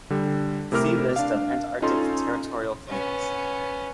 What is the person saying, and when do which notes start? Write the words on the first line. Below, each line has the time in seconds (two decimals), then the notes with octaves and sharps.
See List of Antarctic territorial claims.
0.10 D3 G3
0.72 C3 A3 E4 A#4 D6 F6
1.16 D4 F5
1.82 C#4 D#4 F4 A4 C6
2.88 B3 C#4